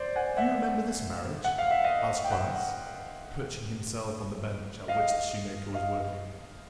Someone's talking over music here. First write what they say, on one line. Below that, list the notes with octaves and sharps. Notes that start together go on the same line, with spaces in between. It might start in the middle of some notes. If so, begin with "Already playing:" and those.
"Do you remember this marriage?" asked Bryce, perching himself on the bench at which the shoemaker was working.
Already playing: C5 D5
F#5 G#5
E5 F#5
F#5
F5
E5
D#5 F5
G5
E5 F#5
D#5 F5
D#5 F5